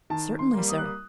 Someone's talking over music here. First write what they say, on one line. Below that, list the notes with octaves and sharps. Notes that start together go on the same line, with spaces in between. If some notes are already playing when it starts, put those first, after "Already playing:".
"Certainly, sir."
D#3 A5
C6
G3 A#3
D#6
F#6
D#6